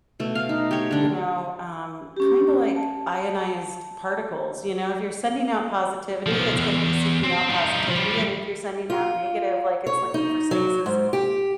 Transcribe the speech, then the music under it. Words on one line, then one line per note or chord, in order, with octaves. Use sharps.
you know, um, kinda like ionized particles, you know. If you're sending out positivity, it's gonna be seeking out positivity, and if you're sending out negative, like, it's looking for stasis,
B2 A3
F5
D#4
G4 C#5
D3 D4
C#4 G4
A5
B1 F3
E2
C4
G3 D#4
F3 G3
F4
C#5
D#4
F#3
G#2
G4